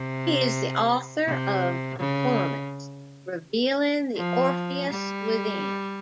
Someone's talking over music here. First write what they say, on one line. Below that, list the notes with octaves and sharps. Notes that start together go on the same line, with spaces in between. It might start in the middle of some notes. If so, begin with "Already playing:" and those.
He is the author of "Performance: revealing the Orpheus within".
Already playing: C3
C3
C#3
F3
G3